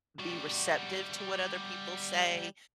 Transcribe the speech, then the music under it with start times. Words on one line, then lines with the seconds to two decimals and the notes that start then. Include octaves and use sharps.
be receptive to what other people say,
0.19 G3 F#4